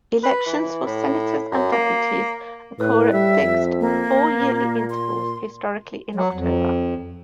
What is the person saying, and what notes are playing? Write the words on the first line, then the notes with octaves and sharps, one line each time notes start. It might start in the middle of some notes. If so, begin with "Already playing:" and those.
Elections for Senators and Deputies occur at fixed four-yearly intervals, historically in October.
B4
E3
A2
F#2
A#3
A2 B4
G3 E5
F2
A#3
A#2
C6
F#3
F2